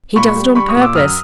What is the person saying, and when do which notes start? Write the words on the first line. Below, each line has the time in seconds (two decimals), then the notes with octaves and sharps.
He does it on purpose.
0.16 A#2 B5 C#6
0.36 G3
0.55 G3 B5 C#6
0.69 C#6 D#6
0.76 A#2
0.82 D6 E6
0.95 F#2 D#6 F6